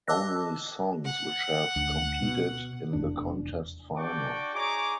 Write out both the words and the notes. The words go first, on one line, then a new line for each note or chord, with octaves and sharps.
Only songs which have competed in the contest final.
D#5 A5 D6 E6 F#6 A#6
F#5
D2
B2
F1 E2 D4
D4 F#4 D5 G5 C#6 D6
D#4 G#4 C#5 A#5 D6